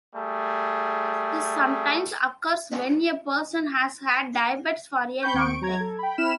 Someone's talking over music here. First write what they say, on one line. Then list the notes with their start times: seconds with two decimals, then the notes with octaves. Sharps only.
This sometimes occurs when a person has had diabetes for a long time.
0.15 G3 A3 G#4
5.22 G5 B5 C#6 G6
5.34 D#2 C4 C#6 D7
5.61 F#3 A#5 G#6
5.80 A4
5.99 G5 B5
6.18 C4 E4 B5 F6 E7